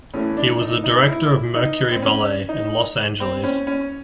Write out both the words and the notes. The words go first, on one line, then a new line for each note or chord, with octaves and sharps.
He was the director of Mercury Ballet, in Los Angeles.
A2 E3 A3 C#4
D4
D#4
D#4
E4
D#4
C4
C#4
D#4
C4
C#4
C#4